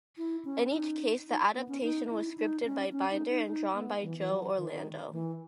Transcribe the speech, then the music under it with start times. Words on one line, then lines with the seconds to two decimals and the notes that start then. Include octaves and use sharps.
In each case, the adaptation was scripted by Binder and drawn by Joe Orlando.
0.18 E4
0.45 C#4
0.72 D#4
1.27 D#4
1.55 B3
1.68 C#4
1.82 D#4
2.10 E4
2.38 D#4
2.65 C#4
2.92 C#4
3.10 D#4
3.29 D#4
3.47 D#4
3.74 B3
4.02 E3
4.18 E3
4.30 F#3
4.57 D#3
5.12 E3